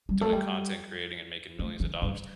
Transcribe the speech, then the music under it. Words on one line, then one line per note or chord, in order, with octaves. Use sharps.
doing content creating and making millions of dollars;
G3
A3
G3
A3
E3
G2